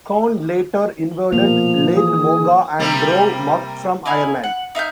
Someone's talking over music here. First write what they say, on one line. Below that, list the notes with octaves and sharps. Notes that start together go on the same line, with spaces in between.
Conn later invaded Leth Moga and drove Mug from Ireland.
B2 F3 A#3 F7
E3 G#4 D#6
C3 G3 A#3
D#4 E4 F5 G#5
F#5
D#4 E5 F5 G6